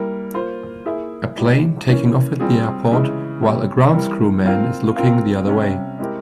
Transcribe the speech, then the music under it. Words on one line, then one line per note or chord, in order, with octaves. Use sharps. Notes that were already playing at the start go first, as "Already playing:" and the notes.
A plane taking off at the airport while a grounds crew man is looking the other way.
Already playing: G3 A#3 E4 A#4
A#3 F4 C5
A#3 E4 G#4 E5
G#3 E4 G4 C#5
E3 A#3 C#4
G3 C4 F4 G#4
C#3 E3 G#3 E4 G#4
G3 C4 G4 C#5 E5
E3 G3 C4 E4 A#4
C4 F4 A#4 F5
C4 F4 A#4 F5
C3 G3 C#4
G#3 C4 E4 G4 A#4